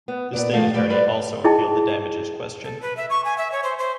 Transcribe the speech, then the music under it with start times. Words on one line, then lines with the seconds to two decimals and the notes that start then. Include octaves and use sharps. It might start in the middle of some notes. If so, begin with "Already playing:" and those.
The state attorney also appealed the damages question.
0.08 B3
0.33 A#2 B3 D5
0.53 A2 D#3 F3 A3 A4 F5
0.73 G3 A3 G4 B4 D5
0.90 G3 F#4 A4 B4 C5 D5
1.44 E4 G#4 D#5 G5 A5
2.64 A4
2.82 B4
2.97 E5
3.10 C#6
3.25 G#5
3.38 E5
3.52 C#5
3.63 C5
3.78 C5